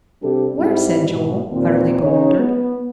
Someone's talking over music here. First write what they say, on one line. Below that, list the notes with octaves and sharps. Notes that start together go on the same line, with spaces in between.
"Where?" said Joel, utterly bewildered.
C3 G3 D4 G4 A4
G#2 G3 C4 E4
G#2 B2
D#2 A#2 C4
C#3 D#4 C#5
B3